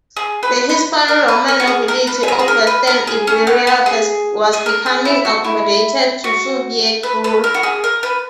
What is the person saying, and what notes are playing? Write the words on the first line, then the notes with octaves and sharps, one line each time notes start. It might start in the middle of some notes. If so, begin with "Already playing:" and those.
The Hispano-Roman nobility of western Iberia was becoming accommodated to Suevic rule.
G#4
B4
B4
A#4
B4
A#4
F#4
G#4
A#4
B4
G#4
A#4
G#4
A#4
B4
A#4
G#4
C#4
B3
B3
G#4
G#4
A#4
G#4
E4
F#4
E4
F#4
B4
B4
A#4
F#4
G#4
A#4
B4